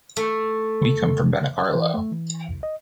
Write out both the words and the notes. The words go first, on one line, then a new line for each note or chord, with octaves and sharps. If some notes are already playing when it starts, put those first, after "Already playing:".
We come from Benicarló.
A3
E3
A3
E3
C2
D#5